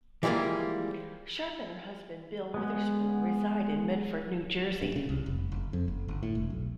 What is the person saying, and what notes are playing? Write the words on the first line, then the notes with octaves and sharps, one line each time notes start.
Sharp and her husband Bill Witherspoon reside in Medford, New Jersey.
E3 F3 G3 G#3 A#3
G#3 B3
G2
C#3
C2
F1
F#1
F2
F#1
G1
A2
E1
B1